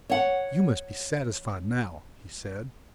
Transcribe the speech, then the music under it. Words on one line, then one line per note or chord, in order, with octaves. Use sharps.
"You must be satisfied now," he said.
C#5 F#5